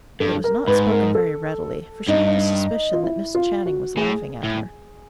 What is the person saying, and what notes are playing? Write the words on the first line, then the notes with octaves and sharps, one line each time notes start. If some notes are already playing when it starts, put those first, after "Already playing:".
But it was not spoken very readily, for she had a suspicion that Miss Channing was laughing at her.
G2 A4
A#4
G#2 B4
A#4
A4
G2 D#4
F4
E4
F4
F#4
A2 G#4
A2